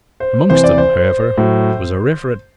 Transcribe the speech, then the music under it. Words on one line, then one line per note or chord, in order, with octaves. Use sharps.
Amongst them, however, was a Rev.
C5
C3 E3 C5
D5
C5
A2 F#3